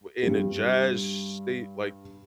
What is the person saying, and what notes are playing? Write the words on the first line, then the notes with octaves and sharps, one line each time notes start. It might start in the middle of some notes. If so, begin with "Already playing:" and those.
in a jazz state? Like,
G2 G3